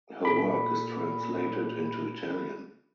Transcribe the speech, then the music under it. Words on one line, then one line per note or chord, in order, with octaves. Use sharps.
Her work is translated into Italian.
A#2 A4 B5